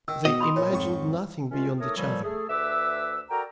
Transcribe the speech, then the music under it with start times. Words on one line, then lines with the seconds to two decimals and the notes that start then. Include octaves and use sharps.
They imagined nothing beyond each other.
0.08 D#3 E6
0.25 B2 D#5
0.41 B5 C6 D#6
0.56 A#2 C#5
0.71 F2 G#2 C#6
1.52 C2 G#3 C#4 F4
1.80 A3 D#4 A4 A#4 C#5 D#6
1.97 A#2 D3 F3 G3 C#5 E6
2.24 A3 G#4 A4
2.49 D2 B4 E5 D6 E6
3.31 F#4 A4 A#4 D5 G5 A#5